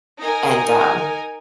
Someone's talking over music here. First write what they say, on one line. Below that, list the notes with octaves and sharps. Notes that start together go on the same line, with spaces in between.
and, um,
D#4 A#4 G#5